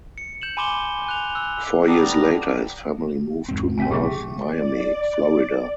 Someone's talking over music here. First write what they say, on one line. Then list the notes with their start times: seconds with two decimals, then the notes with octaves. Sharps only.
Four years later his family moved to North Miami, Florida.
0.18 C#7
0.42 G6 E7 F#7
0.57 G#5 B5 C6 D6 E7 G7
1.06 G#5 F#6 F7
1.35 E6 F#6
1.88 G3 B3 D4 A#5
3.49 E2 G#2 C4
3.78 F1 C4 C#4 F5 G#5
3.91 B1 C#3 A3 G4 G#4 E5
4.38 D5